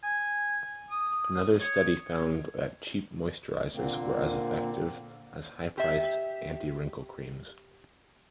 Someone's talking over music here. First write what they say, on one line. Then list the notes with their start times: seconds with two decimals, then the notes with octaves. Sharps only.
Another study found that cheap moisturisers were as effective as high-priced anti-wrinkle creams.
0.03 G#5
0.90 D#6
1.60 C#5
3.74 A#2 D3 A#3 C4
5.78 G4 E5